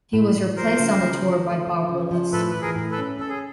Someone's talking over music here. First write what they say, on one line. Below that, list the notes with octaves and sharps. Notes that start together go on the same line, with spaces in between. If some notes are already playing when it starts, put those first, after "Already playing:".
He was replaced on the tour by Bob Willis.
A2
A2
F3 A#4 C5
C#3
F3
F3
A3
F3
C#3
F3
A2 A4 B4
E3 B4
G#4 A#4
A2
A4 B4
C#4
C#4 A4
G#4